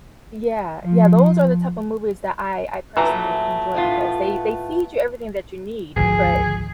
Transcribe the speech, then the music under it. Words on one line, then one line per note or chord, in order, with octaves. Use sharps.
Yeah. Yeah, those are the type of movies that I I personally enjoy because they they feed you everything that you need, but
F3
A#2 E3 F#3 A3 A#5
A2 B3 F4
G#1 D2 F3 G#4